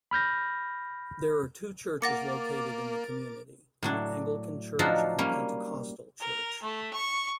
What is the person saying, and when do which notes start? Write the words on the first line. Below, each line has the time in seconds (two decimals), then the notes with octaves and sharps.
There are two churches located in the community, an Anglican church and Pentecostal church.
0.11 B5 F6 G6 A#6
2.02 A#3 A#4 F#5 D6 A6 A#6 C#7
3.83 A2 F#3 D4
4.79 F3 F#3 D4 D#4 F4 F#4
5.19 G3 A#3 C#4
6.21 A#4
6.62 A3
6.94 C#6